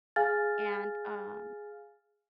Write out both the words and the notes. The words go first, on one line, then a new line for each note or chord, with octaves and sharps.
and, um,
G#4 F5 G#5 F6 A6